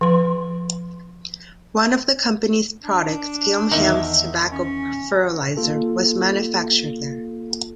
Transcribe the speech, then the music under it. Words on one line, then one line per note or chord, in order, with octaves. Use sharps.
One of the company's products, Gilham's Tobacco Fertilizer, was manufactured there.
F3 C6
D4
E2 D#3 D#4 E5
C#4
A#3 F4 A4